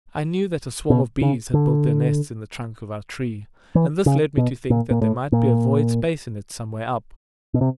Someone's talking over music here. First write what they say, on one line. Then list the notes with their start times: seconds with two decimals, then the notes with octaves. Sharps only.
I knew that a swarm of bees had built their nest in the trunk of our tree, and this led me to think that there might be a void space in it some way up.
0.90 B2
1.21 C#3
1.54 D3
3.75 E3
4.06 C#3
4.37 B2
4.70 A#2
4.91 A#2
5.01 A2
5.32 A#2
7.54 B2
7.61 C3